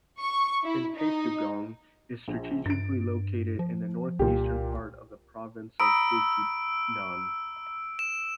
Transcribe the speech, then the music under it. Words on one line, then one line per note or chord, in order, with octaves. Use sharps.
Impasugong is strategically located in the north-eastern part of the Province of Bukidnon.
C#6
E4
D#4
A#1
G2 A6 D7
F3
C2 A#2 G4
A#5 B5 D#6 E6 D7
E7